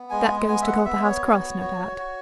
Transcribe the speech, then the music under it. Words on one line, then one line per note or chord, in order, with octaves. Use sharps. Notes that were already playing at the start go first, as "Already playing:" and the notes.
That goes to Copperhouse Cross, no doubt.
Already playing: B3
G#3 G#5
B3 G#5
E5
F#5
B3 E5
C#5
F#4
F#4
F#4